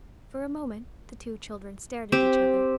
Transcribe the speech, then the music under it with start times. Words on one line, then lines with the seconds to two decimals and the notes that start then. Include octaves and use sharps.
For a moment the two children stared at each other.
2.12 C4 G4